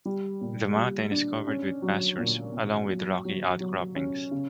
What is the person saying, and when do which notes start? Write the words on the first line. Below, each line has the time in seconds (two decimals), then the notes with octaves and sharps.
The mountain is covered with pastures along with rocky outcroppings.
0.05 G3
0.41 A#2
0.75 G3
1.11 D4
1.47 C#4
1.82 F#3
2.18 A#2
2.53 A#2
2.90 F#3
3.25 F#3
3.60 F#3
3.96 C#4
4.31 C#3